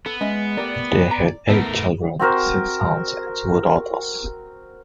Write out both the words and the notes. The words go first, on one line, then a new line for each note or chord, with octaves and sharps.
They had eight children, six sons and two daughters.
B3 A4
G#3 C#4 D#5 E5
A3 G4 A#4 D5
A#5
A3 B3 D#4 A#4 B4 A5
C4 F#4 A#4 C5